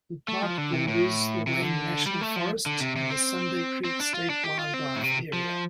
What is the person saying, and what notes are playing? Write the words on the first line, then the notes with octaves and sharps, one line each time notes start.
The park borders the Wayne National Forest and the Sunday Creek State Wildlife Area.
A3
F3
D3
C3
A2
C3
D3
G3
A3
F3
D3
C3
C3
C4
C4
D4
F4
D4
G4
F4
C4
A2
C3
F3